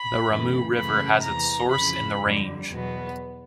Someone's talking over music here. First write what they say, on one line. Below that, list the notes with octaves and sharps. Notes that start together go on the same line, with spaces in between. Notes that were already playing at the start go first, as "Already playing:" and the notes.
The Ramu River has its source in the range.
Already playing: B5
F#2 C#3 E3 A3
F#2 C#3 E3 A3 B5
E2 C3 E3 A#5
F2 C#3 E3 B5
F2 D3 G3
E2 B2 F#3 B3